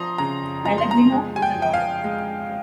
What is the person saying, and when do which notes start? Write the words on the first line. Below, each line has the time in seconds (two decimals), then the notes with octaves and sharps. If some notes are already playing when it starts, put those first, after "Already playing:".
Pellegrino was a lawyer.
Already playing: F3 A#5 C6 D#6
0.18 C#3 A#5
0.65 F3 A#5
0.78 C6
0.91 A#5
1.12 G#3
1.36 G#5
1.42 G5
1.59 F3 G5
1.74 F5
2.04 G#3